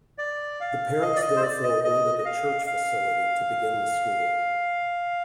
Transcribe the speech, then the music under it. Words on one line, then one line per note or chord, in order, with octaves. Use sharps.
The parents therefore rented a church facility to begin the school.
D5
F5
D#5
D5
D#5
C5
D5
D#5
D#5
D#5
F5
F5